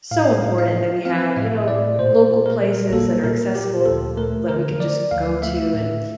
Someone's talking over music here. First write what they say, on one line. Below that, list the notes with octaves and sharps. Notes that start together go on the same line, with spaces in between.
so important that we have, you know, local places that are accessible that we can just go to and,
A2 F5
A2
F5
F3
C4 F5
A2 E5
A2 D5
A#2 C5
A#2
A#4
G3
A#3 A4
A#2 A#4
A#2 G4
D2 A4
A3 A#4
D3 A#4
F3 D5
D2 F5
A3 E5
A2